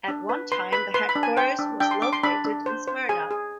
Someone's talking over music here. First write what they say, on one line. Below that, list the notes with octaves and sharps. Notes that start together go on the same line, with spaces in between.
At one time the headquarters was located in Smyrna.
D4
B4
B4 C6
B4 B5
B4 C6
B5
D4
G#5
C5 G5
D4
D4 G5
C6
D4 D6
C6
D4 B5
D4
C5
C5
G#4 G#5
G#4